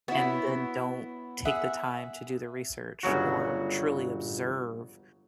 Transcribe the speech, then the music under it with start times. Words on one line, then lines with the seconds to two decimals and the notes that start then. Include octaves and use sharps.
and then don't take the time to do the research or truly observe
0.08 B3 E4 F#4 C#5 E5
1.45 G#4 E5 F#5
3.03 G1 C#3 F#3 F#4